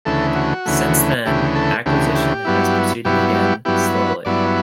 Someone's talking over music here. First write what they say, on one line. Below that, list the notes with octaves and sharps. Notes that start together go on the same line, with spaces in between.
Since then, acquisition has proceeded again slowly.
D2 C#3 E3 A3 A4
F#4
D2 C#3 E3 A3
D2 C#3 E3 A3 G4
A4
D2 C#3 E3 A3 G4
G4
G2 F#3 B3 E4
G2 F#3 B3 E4 G4
G4
G2 F#3 B3 E4 G4
B4
G2 F#3 B3 E4 D5